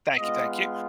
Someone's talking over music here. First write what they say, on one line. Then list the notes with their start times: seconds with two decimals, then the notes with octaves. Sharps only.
Thank you, thank you.
0.18 G#3 B3 F4 D#5